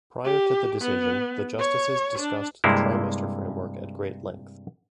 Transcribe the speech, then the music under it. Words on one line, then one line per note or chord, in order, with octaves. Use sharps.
Prior to the decision, the justices discussed the trimester framework at great length.
G4
B3
C#5
D4
G2 C3 G#3 A#3 C4 E4